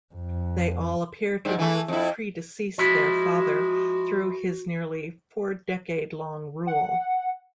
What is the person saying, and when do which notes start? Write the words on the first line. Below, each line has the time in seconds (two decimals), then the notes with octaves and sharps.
They all appear to have predeceased their father through his nearly four-decade-long rule.
0.15 F2
1.45 G#2 G3
1.58 E3 A3
1.88 F2 E4
2.78 F3 G#3 E4 F#4
6.67 F#5